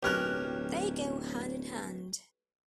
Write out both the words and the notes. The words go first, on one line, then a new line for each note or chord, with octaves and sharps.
They go hand-in-hand.
D1 B1 C#4 G4 A#4 F6 F#6